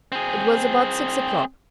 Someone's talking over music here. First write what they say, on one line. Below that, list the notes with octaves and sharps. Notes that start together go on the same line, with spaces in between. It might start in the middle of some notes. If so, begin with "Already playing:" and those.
It was about six o'clock.
C4 G#4